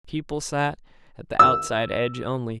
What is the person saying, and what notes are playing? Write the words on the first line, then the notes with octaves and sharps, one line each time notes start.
People sat at the outside edge only.
E6